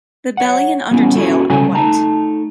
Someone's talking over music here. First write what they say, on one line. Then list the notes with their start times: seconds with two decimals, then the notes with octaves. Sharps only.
The belly and undertail are white.
0.37 C#5 F#5
0.91 G3 B3 C#4 E4
1.15 C#4 E4 F#4 A4
1.50 C#3 G3 G#3 C#4 A4 G#5
1.75 A3 D#4 A5 A#5